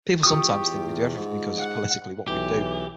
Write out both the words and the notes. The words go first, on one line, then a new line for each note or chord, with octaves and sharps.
People sometimes think we do everything because it's politically what we do.
E2 F4 G4 C#6 D#6
E2
G#2
F#5
B1 E3 G4